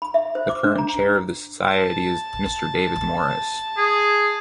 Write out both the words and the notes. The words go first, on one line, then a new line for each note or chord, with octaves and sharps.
The current chair of the society is Mr David Morriss.
B5
E5
C5
D6
D4
A#5
A5
G#4